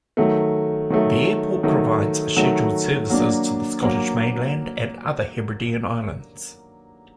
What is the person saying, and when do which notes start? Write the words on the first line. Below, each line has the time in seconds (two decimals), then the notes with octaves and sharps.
The airport provides scheduled services to the Scottish mainland and other Hebridean islands.
0.17 D#3 F#3 A3
0.90 D#3 F#3 A3
1.63 D#3 F#3 A3
2.36 D#3 F#3 A3
3.10 F#3 A#3 D4
3.82 F#3 A#3